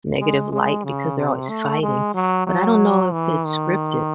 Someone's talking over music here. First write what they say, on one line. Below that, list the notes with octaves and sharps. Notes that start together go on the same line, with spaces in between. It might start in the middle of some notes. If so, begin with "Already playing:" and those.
negative light because they're always fighting, but I don't know if it's scripted.
G#3
G#3
C#3
C3
A3
G#3
F#3
F#3
E3
D#3